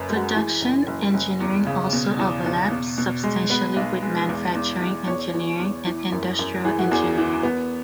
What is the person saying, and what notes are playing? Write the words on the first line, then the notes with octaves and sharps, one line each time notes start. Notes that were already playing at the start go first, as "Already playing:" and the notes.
Production engineering also overlaps substantially with manufacturing engineering and industrial engineering.
Already playing: F#1 F#2 B4
G#3
F#4
E3 G#4
F#1
F#1
F#1
E2
C#3
B2
E2
E2
B2
B2
G#3
B3 B4
B1
G#3
E2
E2
E2
E2 C#5
E2
E2
E3
F#2
F#2
E3 G#4
F#4
E2 G#4
E3
B3